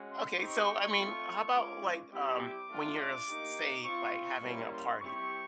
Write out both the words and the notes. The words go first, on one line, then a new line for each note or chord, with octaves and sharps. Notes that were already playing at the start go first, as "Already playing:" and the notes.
Okay. So I mean, how about, like, um, when you're, uh, s say, like having a party,
Already playing: G#3 C#4 F#4
C6
C4 D#4 G4 C#6
A3 C4 F4
G#3 C#4 F4 D6
G3 C4 E4 G4 D6
A3 D4 F4
D6
A#3 D#4 G4
C4 F4 C#6
C#6
G3 A#3 C#4 E4
C6
G3 C4 E4 G4 C#6